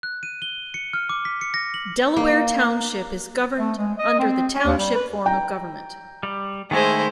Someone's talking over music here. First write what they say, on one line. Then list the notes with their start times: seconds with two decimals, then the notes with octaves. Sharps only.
Delaware Township is governed under the Township form of government.
0.03 F#6
0.23 D#7
0.42 G7
0.74 C#7
0.93 F6
1.09 D6
1.25 B6
1.41 C#7
1.54 A#6
1.74 F#7
2.16 A#3
3.58 A3
3.77 G#3
3.97 D#5
4.19 C4
4.54 C#4
4.65 D#2
4.77 G3
4.96 B4
5.26 G5 A#5
6.23 G3
6.71 D#3 G#3 A3 E4 C5